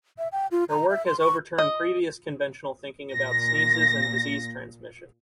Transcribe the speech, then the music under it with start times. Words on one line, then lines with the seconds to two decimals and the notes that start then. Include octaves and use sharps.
Her work has overturned previous conventional thinking about sneezes and disease transmission.
0.18 E5
0.32 G5
0.51 F4
0.69 A#5
0.89 E5
1.06 C6
1.20 C#6
1.58 D#5
3.12 A#2 A#6